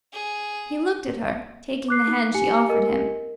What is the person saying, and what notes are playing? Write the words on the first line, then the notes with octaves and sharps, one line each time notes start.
He looked at her, taking the hand she offered him.
G#4
D6 F#6 C7
D#4
G4 G#5 C#7
A#4 D#5